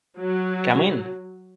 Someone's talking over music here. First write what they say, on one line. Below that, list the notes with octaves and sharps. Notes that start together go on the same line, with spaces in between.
Come in!
F#3